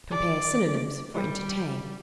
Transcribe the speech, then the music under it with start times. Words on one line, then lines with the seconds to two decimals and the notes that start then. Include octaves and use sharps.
Compare synonyms for ENTERTAIN.
0.11 D5
1.14 G3